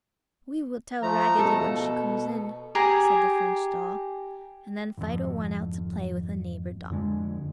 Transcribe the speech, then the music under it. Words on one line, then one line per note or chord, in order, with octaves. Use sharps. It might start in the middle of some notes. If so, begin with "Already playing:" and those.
"We will tell Raggedy when she comes in!" said the French doll, and then Fido went out to play with a neighbor dog.
F3 A3 A#5
B2 A4
G4 G#4 G#5 A#5
G#1 F2
F2 D3 G#3